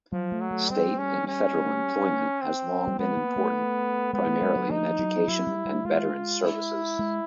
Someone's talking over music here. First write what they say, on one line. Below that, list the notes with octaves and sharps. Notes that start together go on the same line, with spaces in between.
State and federal employment has long been important, primarily in education and veterans' services.
F3 F#3
A3
F#3
A3
G3 C4
C#4
C#4
C4
G3
G#3 B3
A#3
A3
G#3 B3
A3
G#3
F#3
F3 D#4
F#3
F#3 E4
G3
G3
G#3 F4
E4
G#3